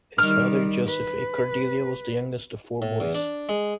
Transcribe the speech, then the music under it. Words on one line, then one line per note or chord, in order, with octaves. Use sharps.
His father, Joseph A. Ciardiello was the youngest of four boys.
D#3 G3 F6
B4
A2
E2
D4
G#3